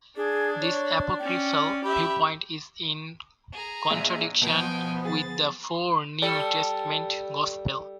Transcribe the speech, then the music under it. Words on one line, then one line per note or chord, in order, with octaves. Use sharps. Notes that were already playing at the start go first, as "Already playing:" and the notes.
This apocryphal viewpoint is in contradiction with the four New Testament gospels.
D4 G#4
C#5
C#4 D5 G5
G4 E5 B5
G#4 A#5
A#1 G#3 E5
B2 F3 B3 G5 G#5
G#4 A6
G3 A4 D5